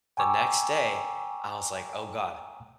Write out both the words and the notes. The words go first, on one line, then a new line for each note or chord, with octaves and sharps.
the next day, I was like, "Oh god.
G5 G#5 A#5 C#6 D6 E6